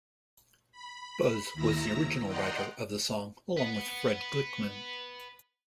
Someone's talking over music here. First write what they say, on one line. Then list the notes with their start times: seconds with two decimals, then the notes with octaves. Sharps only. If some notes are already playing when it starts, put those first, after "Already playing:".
Buz was the original writer of the song along with Fred Glickman.
0.72 B5
1.53 D#2 D#3 E4 A#5 E6 A#6
2.27 D5 D#5 F#5 G5 A#5 C6
3.57 B4 F#5